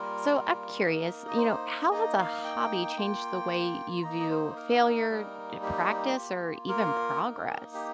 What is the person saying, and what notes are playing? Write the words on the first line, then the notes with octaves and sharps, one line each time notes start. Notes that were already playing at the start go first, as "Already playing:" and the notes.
So I'm curious, you know, how has a hobby changed the way you view failure, d practice, or even progress?
Already playing: G3 A#3 F4 A#4
A#4
A#3 D#4
D#5
C5
A#3 D#4 D#5
F5
G5
A#3 F4
A#3 D#4 A#5
D#5
C5
A#4
G3 A#3 D#4
G4
A#3 F4
A#4
A#3 D#4
G4